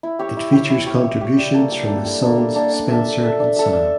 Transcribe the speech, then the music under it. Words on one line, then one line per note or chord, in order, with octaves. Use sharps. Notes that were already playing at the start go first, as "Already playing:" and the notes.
It features contributions from his sons Spencer and Sam.
E4
G4 C#5
E4
G4 C#5
E4
G4 C#5
E4
G4 C#5
G3
A#3 D4 A4
G3
A#3 D4 A4
G3
A#3 D4 A4
G3
A#3 D4 A4
D4
A4 E5
D4
A4 E5
D4
A4 E5
D4